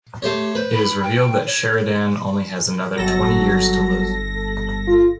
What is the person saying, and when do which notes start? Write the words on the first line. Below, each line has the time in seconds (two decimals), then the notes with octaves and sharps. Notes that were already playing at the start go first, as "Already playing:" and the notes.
It is revealed that Sheridan only has another twenty years to live.
0.22 A3 G4 C5 C#5
0.55 B4 C5
0.74 B5
1.03 G5
1.46 C#5
2.97 G1 F#3 A4 A#6
4.88 F4